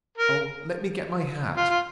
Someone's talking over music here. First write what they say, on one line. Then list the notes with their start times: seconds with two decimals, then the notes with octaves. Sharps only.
"Oh--let me get my hat!"
0.18 A#4
1.57 F4
1.70 F4